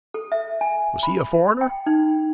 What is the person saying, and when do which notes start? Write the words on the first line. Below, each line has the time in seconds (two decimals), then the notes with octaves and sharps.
Was he a foreigner?
0.14 A4
0.32 E5
0.61 G#5
1.03 B5
1.61 G5
1.86 D#4